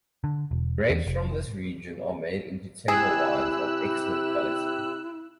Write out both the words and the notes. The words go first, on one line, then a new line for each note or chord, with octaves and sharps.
Grapes from this region are made into table wines of excellent quality.
D3
E1
E2
F1
C3 E4 G4 G#4 E6 F#6